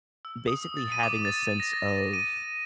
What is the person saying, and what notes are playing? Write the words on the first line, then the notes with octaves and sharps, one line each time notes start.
basically, having a sense of
E6
D#6
A6
D#7
D6
A6
A#6
A6
D#7
D#7